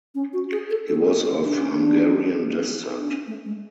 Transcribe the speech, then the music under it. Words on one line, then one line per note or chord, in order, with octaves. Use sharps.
He was of Hungarian descent.
C#4
F#4
G#4
A4
A4
G#4
A4
D4
C#4
D4
D4
C#4
A3
G#3